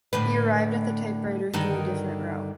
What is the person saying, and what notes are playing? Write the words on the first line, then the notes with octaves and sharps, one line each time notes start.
He arrived at the typewriter through a different route.
A2 D3 B4
G2 D3 D#3